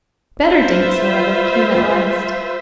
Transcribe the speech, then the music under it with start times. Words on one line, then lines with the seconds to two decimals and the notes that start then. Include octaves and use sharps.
Better days, however, came at last.
0.46 F4 B4 C5 E5 F5